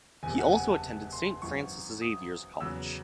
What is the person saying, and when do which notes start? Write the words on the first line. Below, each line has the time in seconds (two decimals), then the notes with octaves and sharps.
He also attended Saint Francis Xavier's College.
0.23 F#1 E2 C3 G#5
0.38 F#5
0.53 G#5
0.68 A5
1.13 C6
1.42 G#1 F#2 E3 C#6
2.01 D#6
2.60 E2 C#3 F#3 E6